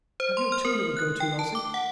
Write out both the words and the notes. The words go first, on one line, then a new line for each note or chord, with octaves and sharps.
"Have you a tune it would go to, Elsie?"
C5
C6
F6
A#4
F#6
G5
A5
D6
F#5